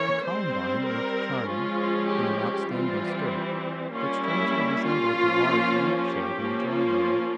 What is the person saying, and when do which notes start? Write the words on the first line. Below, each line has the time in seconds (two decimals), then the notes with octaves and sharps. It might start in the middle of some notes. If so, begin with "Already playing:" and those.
The columbine looked charming in an outstanding skirt that strangely resembled the large lamp-shade in the drawing-room.
Already playing: E3 A#3 C#4 C#5
0.25 G3 C4 C5
0.87 A#4
1.47 F3 G#3 C#4 F4
2.09 G4
2.71 E3 G3 C4 F4
3.92 G3 A#3 C#4 F4
4.24 E4
4.84 F4
5.15 F3 A#3 C#4
6.07 G4
6.37 F3 A#3 C#4
6.69 F4